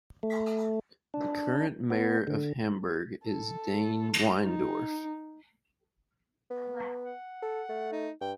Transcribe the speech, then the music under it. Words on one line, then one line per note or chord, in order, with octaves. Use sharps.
The current mayor of Hamburg is Dane Weindorf.
A3
D4
B3
D3
A4
D#4
B3
F#5
A4
A3
D#4
G2 G5